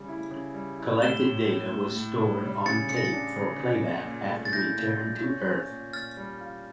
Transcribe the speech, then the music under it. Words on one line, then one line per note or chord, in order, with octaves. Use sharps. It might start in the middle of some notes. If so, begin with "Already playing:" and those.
Collected data was stored on tape for playback after return to Earth.
Already playing: C#3 G3
E4
C#3
G3
E4
A2 E7 G7
A2
A2
A2
A2
A2
G3
C#3 A6 C#7
C#3 C#7
A#6
A6 C#7
D4
C#3
C#3
A#2
A#2
A3
A6
E4 G6 A#6
A#2
A#2
C#4
C#4
A#2
A#2 F6 A6
G3
F4